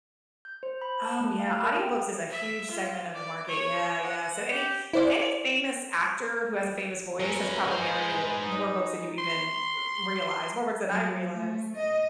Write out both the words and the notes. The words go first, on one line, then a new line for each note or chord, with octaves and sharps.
Oh, yeah, audiobooks is a huge segment of the market, yeah, yeah. So any any famous actor who has a famous voice has probably narrated more books than you even r realize, more books than I realize.
G6
C5
B5
A5
A3
F5
A#4
G5
E5
F4
D5
C#5
F#5
G4
E4 C5 D5
F#3 C#4 G#4 A#4 B4
G#3 C5
D#4
C6
F#3
A3
D#5